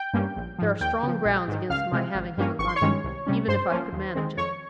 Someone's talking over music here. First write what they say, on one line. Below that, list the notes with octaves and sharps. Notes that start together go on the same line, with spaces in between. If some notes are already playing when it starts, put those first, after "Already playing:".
There are strong grounds against my having him in London, even if I could manage it.
Already playing: G5 G6
G2 G3 A#3 C#4
A#1
G#2 F3
D#2 G5 G6
C#3 F3
A#1
G#2 D#3
C#2 F5 F6
C3 F3 G#3
G#1
G2 G3 A#3 C#4
G#1 C#6
C6
C#5 C#6
G2 D#3 G#3 C#4
C2
C3 G3 C#4
G2 C5 C6
F3 A#3 C#4
D#2
D#3 G#3 C4
F2 C#5 C#6